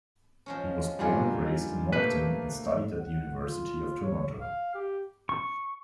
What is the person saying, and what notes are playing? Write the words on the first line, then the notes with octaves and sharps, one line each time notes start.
He was born and raised in Moncton, and studied at the University of Toronto.
F3 G#3 C#4
D3 G3 A#3 D#4 F4 G#5
A#2 F3 A3 A#3 G4 B4
F#5
F4
C#5
F5
G4
C#6